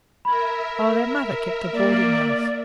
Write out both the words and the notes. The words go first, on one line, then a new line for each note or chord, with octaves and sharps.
'Oh! their mother kept a boarding-house.
A#4 E5 B5 G#6
A#3 D5